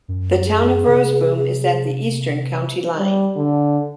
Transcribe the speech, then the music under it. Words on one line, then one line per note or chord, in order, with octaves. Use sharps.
The Town of Roseboom is at the eastern county line.
F#2
G#4
C3
G3
D3